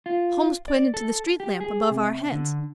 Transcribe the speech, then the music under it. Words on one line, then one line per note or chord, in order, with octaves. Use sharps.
Holmes pointed to the street lamp above our heads.
F4
D5
A4
G4
G#4
C3
D3